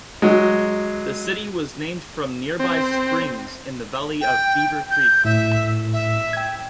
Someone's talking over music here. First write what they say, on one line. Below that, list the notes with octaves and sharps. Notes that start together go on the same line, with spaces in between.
The city was named from nearby springs in the valley of Beaver Creek.
F#3 G#3
C4
G5
G6
A2 E5
E5
G5 G#6